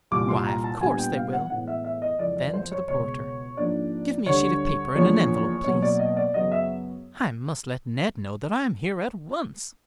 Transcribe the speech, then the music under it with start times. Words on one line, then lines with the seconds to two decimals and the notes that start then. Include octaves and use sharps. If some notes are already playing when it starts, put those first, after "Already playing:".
"Why, of course they will." Then to the porter, "Give me a sheet of paper and an envelope, please.--I must let Ned know that I am here at once."
0.11 C2 A#2 G3 D6
0.29 C6
0.47 A#5
0.64 A5
0.80 A#2 G3 B3 D4 G#5
0.98 G5
1.15 F5
1.33 F#5
1.50 A2 E3 G#3 B3 F#5
1.67 E5
1.84 E5
2.02 D#5
2.19 F2 C#3 E3 G#3 D5
2.37 D5
2.54 C5
2.71 C#5
2.88 C#2 B2 G#3 C#5
3.57 G#2 F3 A#3 D4 D5
4.26 D2 D3 G3 C#5
4.95 E2 C#3 F3 A#3 D4 C#5
5.64 B2 F#3 A#3 C#4 C#5
5.82 D5
5.99 D#5
6.17 D5
6.34 F#2 C#3 F#3 B3 D#5
6.52 E5